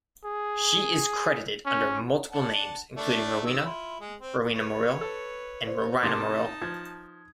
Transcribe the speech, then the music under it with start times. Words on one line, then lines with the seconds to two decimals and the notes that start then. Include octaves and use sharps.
She is credited under multiple names, including Rowena, Rowena Morrill, and Rowina Morril.
0.24 G#4
1.66 C#4
2.32 D4 F#5 A5
2.96 A3 D4
3.46 D#3 E6
3.64 E4 F4
4.00 G#3
4.20 C4
4.53 B4 C#5
5.01 A4
5.67 C5
6.03 A2 C3 A#3 D#4 A5 C6 D6 D#6
6.62 F3 G#6